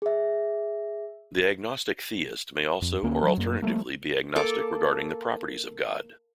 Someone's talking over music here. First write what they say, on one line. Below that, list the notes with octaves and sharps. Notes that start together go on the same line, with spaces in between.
The agnostic theist may also or alternatively be agnostic regarding the properties of God.
G#4 E5
F2
D2 A#3 C#4
F3 F#3
F#2 A#3
F3 G3 A3 A#3
A#3 A4 D6